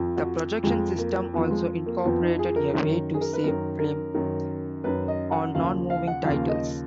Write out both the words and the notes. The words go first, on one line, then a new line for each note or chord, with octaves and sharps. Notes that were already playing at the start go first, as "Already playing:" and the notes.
The projection system also incorporated a way to save film on non-moving titles.
Already playing: F2 F3
F#4
F2 F3 G#3
A#3
F2 F3 B3
G#3
A#3
F2 F3 B3
D#4
G#4
A#4
F#2 D#3 A#4
G#4
A#4
B4
F#2 D#3 A#4
A#4
F#2 D#3
F#2 D#3 B4
D#5
F#5
D#2 C#3 F3 F5
F5
F#5
D#2 C#3 F3 F5
D#5